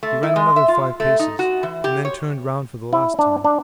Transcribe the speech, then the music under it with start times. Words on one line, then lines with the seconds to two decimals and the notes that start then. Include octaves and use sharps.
He ran another five paces and then turned round for the last time.
0.03 A3
0.23 E4
0.36 G#3
0.56 E5
0.68 F4
1.00 A3
1.19 D#4
1.39 F#4
1.63 E3
1.84 G4
2.05 C#5
2.93 E4
3.19 D4
3.44 D4